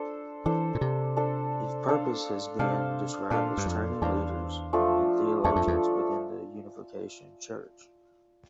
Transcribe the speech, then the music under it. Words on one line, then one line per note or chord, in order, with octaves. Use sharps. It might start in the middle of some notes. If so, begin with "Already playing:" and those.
Its purpose has been described as training leaders and theologians within the Unification Church.
Already playing: D4 A4 C5
E3 D4 A4 C5
A#2
C3
D4 A4 C5
D4 A4 C5 F5
C3 D4 A4 C5 F5
A#2 D4 A4 C5 F5
G2
F2
E2 D4 A4 C5 F5
F3 A3 D4 A4
E2 F3 A3 D4 A4
F2
E2